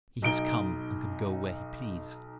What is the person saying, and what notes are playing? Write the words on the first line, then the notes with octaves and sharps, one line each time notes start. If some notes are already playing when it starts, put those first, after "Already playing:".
He has come and can go when he please.
B1 D#4 D7 G7